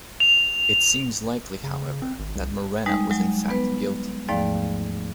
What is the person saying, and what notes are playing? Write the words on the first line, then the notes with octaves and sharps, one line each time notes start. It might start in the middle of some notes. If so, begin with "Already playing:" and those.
It seems likely, however, that Murena was in fact guilty.
F7
C#3
C4
G#1
C2
G3 G#3 D#4
F#3 G#3
B3 B4
D#2 G#2 F3 A3 D5 F5